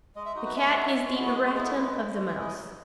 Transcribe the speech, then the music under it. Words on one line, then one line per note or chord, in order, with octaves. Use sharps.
The cat is the erratum of the mouse.
G#3 D#5
E5
D#4 F#4 D#5
B4
G#3 E5
D#4 F#4
G#3
B3 E4
F#4
G#3 G#4
F#4
B3 E4 G#4
A4
G#3 B4
C#4 E4
G#3 C#5
E5
C#4 E4
D#5
F#3